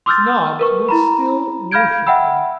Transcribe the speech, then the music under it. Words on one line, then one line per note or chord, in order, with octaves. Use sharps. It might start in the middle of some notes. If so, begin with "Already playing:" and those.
Snobs will still worship him.
C6 D6 E6 F6 G6 A6
A#4 B4 C#6
E4 A#5 B5
F5 B5 F6 G6 G#6 D7
E5 F#5 G5 B5 E6